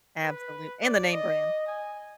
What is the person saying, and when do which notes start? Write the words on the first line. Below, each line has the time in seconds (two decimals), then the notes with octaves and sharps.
absolute and the name-brand.
0.24 B4
0.83 D5
1.13 D#5
1.67 G#5